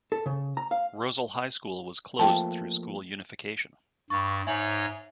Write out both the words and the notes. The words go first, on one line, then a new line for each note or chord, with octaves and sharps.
Rozel High School was closed through school unification.
A4
C#3
A#5
F5
F3 A3 A#3 G5 A5
G2 B5 C#6 A6
G#2 D#4 C#5 E5 G#5 F#7